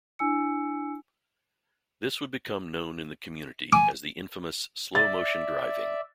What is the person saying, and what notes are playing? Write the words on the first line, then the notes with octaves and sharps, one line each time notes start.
This would become known in the community as the infamous "slow-motion driving".
D4 E4 G#5 E6 C#7
G#5 D6
D5 E5 A6